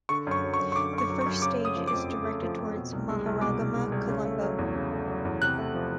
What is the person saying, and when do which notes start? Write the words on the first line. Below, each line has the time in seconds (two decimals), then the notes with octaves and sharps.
The first stage is directed towards Maharagama - Colombo.
0.09 D3 C#6
0.27 F#2 C#6
0.43 F#3
0.54 C#6
0.60 F#2
0.72 C#6
0.76 D3 D6
0.93 F#2
0.98 C#6
1.10 F#3
1.21 C#6
1.26 F#2
1.42 C#3 D6
1.59 A3
1.65 D#6
1.76 F3
1.87 D6
1.93 F2
2.09 C#3
2.25 A3
2.42 F3
2.59 F2
2.75 B2
2.93 C2
3.09 G#3
3.25 C2
3.41 B2 D6
3.59 C2
3.75 G#3
3.92 C2
4.08 C#3
4.25 A3
4.42 F#3
4.58 E2
4.75 C#3
4.91 A3
5.08 F#3
5.25 E2
5.41 C3 F#6
5.58 A3
5.74 F3